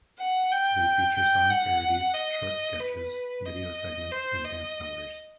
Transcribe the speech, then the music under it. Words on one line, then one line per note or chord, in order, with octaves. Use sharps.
They feature song parodies, short sketches, video segments and dance numbers.
F#5
G5
G5
F#5
D#5
B4
D#5
C5
D#5